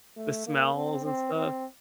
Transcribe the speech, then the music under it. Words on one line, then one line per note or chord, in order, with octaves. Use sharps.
the smells and stuff?
A3
A#3
C4
C4
C4